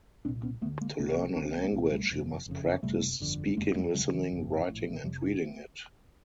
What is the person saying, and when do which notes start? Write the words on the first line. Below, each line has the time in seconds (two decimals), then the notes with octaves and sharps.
To learn a language, you must practice speaking, listening, writing, and reading it.
0.25 C2 C4 D4
0.28 A#2
0.43 B3 C#4
0.61 D2 A3 B3
0.65 D3
0.81 G#3 A#3
0.99 C2 C3 A3 B3
1.17 A#3 C4
1.35 C#2 B3 C#4
1.40 C#3
1.45 C4 D4
1.57 A#3
1.63 A3 B3
1.72 C2 A#2 G#3 A#3
1.92 G3 A3
2.10 G1 F2 C3
2.46 F#1 F2 C#3
2.83 F2 C3 G3 A3
2.87 F#1
3.20 G1 F2 D3
3.57 F#1 F2 D3 G#3 A#3
3.75 G3 A3
3.94 E1 D2 C#3 F#3 G#3
4.12 E3 F#3
4.31 G1 F2 C3
4.68 A#1 A2
5.04 F1 F2 C3 F3 G3